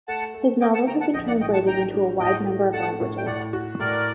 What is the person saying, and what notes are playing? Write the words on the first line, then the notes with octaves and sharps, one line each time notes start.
His novels have been translated into a wide number of languages.
A3 F#5 A5
A3
A3 D#5 G5
F#5 A5
D3 G5 A#5
F#5 A5
A#1 D#5 G5
D5 F#5
A2 D#5 G5
F#5 A5
D4 G5 A#5
D4
A2 D#5 G5
A3
A3 F#5 A5
A2
G5
A2 D5 F#5
F#4
A2 A#4 D5